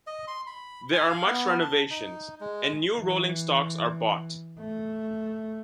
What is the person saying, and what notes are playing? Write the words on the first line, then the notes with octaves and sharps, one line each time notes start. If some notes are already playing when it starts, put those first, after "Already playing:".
There are much renovations, and new rolling stocks are bought.
D#5
C6
B5
G#5
F5
B3
A5
D#4
G#3
E3
A3